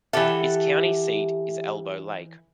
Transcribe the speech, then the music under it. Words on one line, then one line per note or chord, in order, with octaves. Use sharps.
Its county seat is Elbow Lake.
E3 G4 A4 E5 F#5